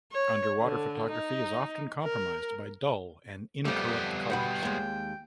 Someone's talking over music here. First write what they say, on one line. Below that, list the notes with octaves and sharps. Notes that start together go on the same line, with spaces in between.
Underwater photography is often compromised by dull and incorrect colours.
C#5
D3
D#4
A#4
F2 G3 A3 B3 G4
B2 F#5 G5 B5
D#2 G#3